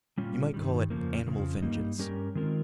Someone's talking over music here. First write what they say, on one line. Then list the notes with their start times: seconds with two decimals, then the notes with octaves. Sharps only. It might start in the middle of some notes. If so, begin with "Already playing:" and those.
You might call it animal vengeance.
0.18 A#2 G3 C#4 F4
0.54 G2 D#3 G3
0.90 F2 C#3 F3 A#3
1.27 F2 C#3 F3
1.62 G2 G3 A#3 D#4
1.98 G2 G3 C#4 G4 A#4
2.35 D#3 G#3 C4 F4 A#4